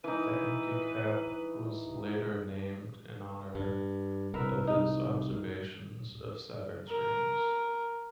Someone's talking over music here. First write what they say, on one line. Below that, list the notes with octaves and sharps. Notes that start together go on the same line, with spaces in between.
The Encke Gap was later named in honour of his observations of Saturn's rings.
E3 D#4 B4
G2
C2 A#4 B4 E5
D#4
A#4